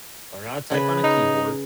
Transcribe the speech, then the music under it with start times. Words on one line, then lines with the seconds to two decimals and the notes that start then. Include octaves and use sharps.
learn how to type on a keyboard,
0.71 C#3 B4
1.04 D#4